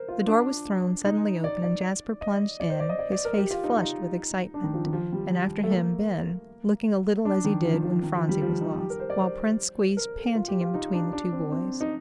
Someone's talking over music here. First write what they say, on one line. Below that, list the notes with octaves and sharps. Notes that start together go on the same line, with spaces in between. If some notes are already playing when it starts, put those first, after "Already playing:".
The door was thrown suddenly open, and Jasper plunged in, his face flushed with excitement, and after him Ben, looking a little as he did when Phronsie was lost, while Prince squeezed panting in between the two boys.
Already playing: A#4 C5
F4
D4
D#4
D5
D5
D#5
D5
C5
D5
D#5
D5
D5
A#4
G4
F4
D#4
D#4
D4
D#3
F3
D#3
F3
G3
A3
A#3
D4
D#3
F3
D#3
F3
D#3
F3
G3
F3
D#4
G4
A#4
C5
D5
C5
A#4
A4
F4
G4
F4
D#4
D4
D4
C4
C4
D#4